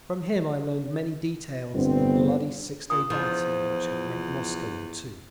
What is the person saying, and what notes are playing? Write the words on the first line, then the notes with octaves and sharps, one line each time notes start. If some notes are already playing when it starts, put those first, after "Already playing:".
From him I learned many details of the bloody six-day battle which had rent Moscow in two.
G1 D2 B3 C4
A#2 D#6
E2 F3